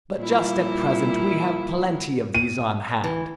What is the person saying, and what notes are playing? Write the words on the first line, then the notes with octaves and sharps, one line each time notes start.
But just at present we have plenty of these on hand.
A#2 G3 E4
D#7
E3